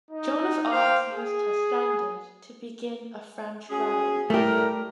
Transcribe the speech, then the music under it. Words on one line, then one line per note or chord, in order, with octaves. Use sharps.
Joan of Arc used her standard to begin a French rally.
D#4
C5 F5 G5
G#4
C#4 F#4 G#4
A2 G3 A3 G4 A#4